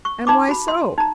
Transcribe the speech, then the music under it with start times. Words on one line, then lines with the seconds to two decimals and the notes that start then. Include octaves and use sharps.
"And why so?"
0.05 C#6
0.27 D#4 B5 D6
0.49 F#4 B5
0.68 C6
0.98 D#4 A#5